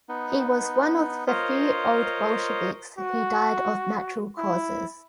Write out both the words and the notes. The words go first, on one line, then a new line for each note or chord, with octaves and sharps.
He was one of the few Old Bolsheviks who died of natural causes.
B3 D#4
F4 A#4 C5 C#5 D#5 F5
F#4
E4